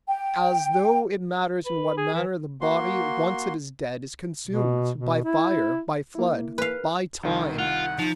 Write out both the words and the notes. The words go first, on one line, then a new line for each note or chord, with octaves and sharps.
As though it matters in what manner the body, once it is dead, is consumed: by fire, by flood, by time!
G5
B4
G#4
E3
A#3 F#4 C6
B2
B2
E4
A#3 E4
B4 F5
C2 D#3
F4 F#5
F3 D#4